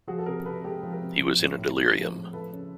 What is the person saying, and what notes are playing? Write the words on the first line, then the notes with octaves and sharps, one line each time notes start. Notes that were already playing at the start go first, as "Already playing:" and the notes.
He was in a delirium.
F3 F#4 G#4
A4
C3 G#4 A#4
C3 A4 B4
G#3 G4 A4
F3
G#4 A#4
C3
F3
A2
A2
G#3
F3
A2
F3 A4 B4
C#3